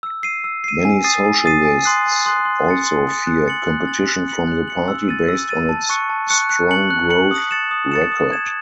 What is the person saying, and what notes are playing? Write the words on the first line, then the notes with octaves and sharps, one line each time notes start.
Many socialists also feared competition from the party based on its strong growth record.
E6
C7 D#7
E6
C7 D#7
G#5
D#6 A6 C7 D#7
G#5
D#6 A6 C7 D#7
G#5
C6 D#6 F#6 C7
G#5
C6 D#6 F#6 C7
C6
D#6 A6 C#7
C6
D#6 A6 C#7
F#6
A6 C#7 F#7
F#6
A6 C#7 F#7
F#6
C#7 F#7
F#6
C#7 F#7
E6
A6 D#7
E6
A6 D#7
A5
C#6 F#6 C#7
A5
C#6 F#6 C#7
F#6
C#7 F#7
F#6
C#7 F#7
D#6
A6 C#7 E7
D#6
A6 C#7 E7
D#6
G#6 C#7 E7